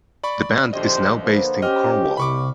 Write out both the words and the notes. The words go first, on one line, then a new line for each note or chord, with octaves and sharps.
The band is now based in Cornwall.
D5 B5 C#6
A#1 D3 G4 C5 D#5
D3 A#3 B3 C5
C#4 G4 D#5 F6
C2 C3 B5 C#6 D6